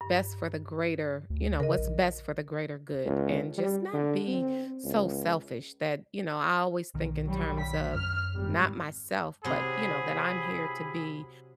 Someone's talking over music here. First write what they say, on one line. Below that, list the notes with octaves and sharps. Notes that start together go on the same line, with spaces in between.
best for the greater you know, what's best for the greater good, and just not be so selfish that you know, I always think in terms of not myself, but, you know, that I'm here to be
G2
D2
C#3 A#4 D#5
A#1
C#2
G3
D3
C4
C#2
B1 D#3
F#3 G3
B6
F#2 F6
G#1 G3
C3 F#3 E4 G4 G#4 B5